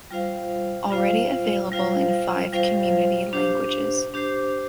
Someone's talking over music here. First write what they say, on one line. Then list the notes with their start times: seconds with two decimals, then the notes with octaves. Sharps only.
Already available in five community languages.
0.11 G3 F4 C5 F5
0.91 G3 F4 C5 F5
1.72 G3 F4 C5 F5
2.53 G3 F4 C5 F5
3.33 D4 G4 C5
4.14 D4 G4 C5